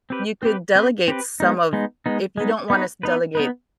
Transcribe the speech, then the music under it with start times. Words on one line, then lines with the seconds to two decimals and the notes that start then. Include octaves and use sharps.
you could delegate some of if you don't want us delegate
0.10 C4 G4 B4
0.43 C4 G4 B4
0.75 C4 G4 B4
1.08 C4 G4 B4
1.40 G#3 B3 D#4
1.73 G#3 B3 D#4
2.06 G#3 B3 D#4
2.37 G#3 B3 D#4
2.70 B3 D#4 B4
3.03 B3 D#4 B4
3.35 B3 D#4 B4